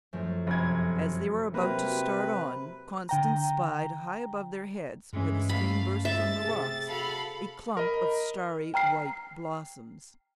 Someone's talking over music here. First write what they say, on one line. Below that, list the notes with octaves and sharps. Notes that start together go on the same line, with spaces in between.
As they were about to start on, Constance spied high above their heads, where the stream burst from the rocks, a clump of starry white blossoms.
F#2 F3 A3
F1 C#5 D5 A#5 G#6
C3 F#3 A#3 B4
D3 G5 A#5
G2 E3 G#3 C#4
A3 F5 B5
E5 A6
C3 G#4
F#4 A4 F5 B5
A#4 D#5 B5
G5 A#5 F6 C7